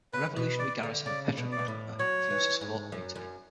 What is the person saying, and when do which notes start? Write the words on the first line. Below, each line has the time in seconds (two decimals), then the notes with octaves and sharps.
The revolutionary garrison of Petrograd, however, refused to support the mutiny.
0.13 C#3 B4
0.36 B2
0.59 D5
0.83 D3
1.06 C#3 D5
1.37 B2
1.52 D5
1.59 B2
1.68 A2
1.99 F#3 C#5
2.30 E3
2.61 G#2
2.92 F#2
3.16 F#2